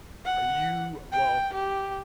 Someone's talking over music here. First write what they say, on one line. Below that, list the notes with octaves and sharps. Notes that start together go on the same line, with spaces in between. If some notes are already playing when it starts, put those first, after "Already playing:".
Are you well,
F#5
G5
G4